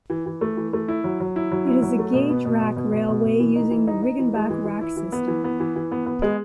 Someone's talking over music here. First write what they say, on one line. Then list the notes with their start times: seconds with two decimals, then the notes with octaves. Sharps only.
It is a gauge rack railway using the Riggenbach rack system.
0.10 E3
0.26 E3
0.41 A3
0.57 E3
0.73 A3
0.88 E4
1.04 F#3
1.20 F#3
1.36 E4
1.52 F#3
1.67 E4
1.82 F#3
1.99 A3
2.13 B2
2.30 B3
2.45 B2
2.61 B2
2.76 B2
2.92 B2
3.08 B2
3.24 B2
3.40 E3
3.56 D#4
3.71 E3
3.87 D#4
4.03 D#4
4.19 E3
4.35 G#3
4.50 E3
4.65 E3
4.81 E4
4.97 E3
5.12 B3
5.28 E3
5.44 B3
5.60 E3
5.76 E3
5.91 B3
6.06 B3
6.22 G#3